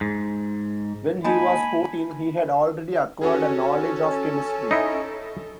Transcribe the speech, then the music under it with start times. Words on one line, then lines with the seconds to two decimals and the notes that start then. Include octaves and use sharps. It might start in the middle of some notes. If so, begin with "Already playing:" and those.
When he was fourteen he had already acquired a knowledge of chemistry.
0.01 G#2
1.24 G#3 A#3 D#4 G#5 A5 B5
3.21 C#4 F#4 G#4 A4
4.71 D#4 E4 D#5